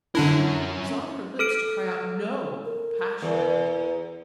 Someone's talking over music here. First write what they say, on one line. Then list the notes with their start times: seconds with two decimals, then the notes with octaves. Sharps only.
It was on her lips to cry out "No," passionately.
0.15 D3 C#4 D4 E4 A#4
1.39 A4 F6 D7
2.64 A#4
3.22 E2